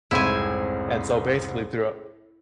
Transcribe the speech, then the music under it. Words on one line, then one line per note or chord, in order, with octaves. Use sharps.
And so basically throughou
F1 C2 G#2 C#3 C4 E4 C5 G#5